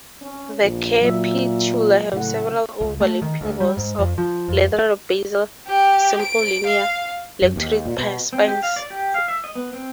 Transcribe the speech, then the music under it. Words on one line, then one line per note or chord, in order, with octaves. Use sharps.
The capitula have several overlapping rows of leathery basal simple linear-lanceolate spines.
C#4
A#1
A#2 F#3 E5
A2 C#3 C#5 F#5
C#2
A3
D#3
D2
G3
G#2
F2
F3
F2
G4
D7
F5
F#2
D#2
A#2
B2
C4
G4
F5
D5
G4
F5
E5
D#5
B3
C4